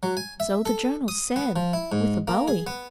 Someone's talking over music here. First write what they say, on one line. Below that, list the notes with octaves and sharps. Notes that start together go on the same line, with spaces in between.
"So the journals said; with a bowie!"
F#3
G#5
E5
A4
D#6
B3
F3
E4
G#2
A#3
G#4
B3